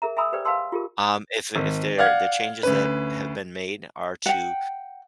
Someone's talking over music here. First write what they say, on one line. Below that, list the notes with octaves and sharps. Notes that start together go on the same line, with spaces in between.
um, if if they're the changes that have been made are to
G#4 A#4 E5 A#5
E5 G#5 A#5 B5 D#6 E6
G4 B4 C5 D5 G5
B4 F5 G5 A5 C6 E6
F4 G4 G#4 A#4
G#1
D5 F5 F#5 F6 G#6
D2 C#4 B4
F#5 G5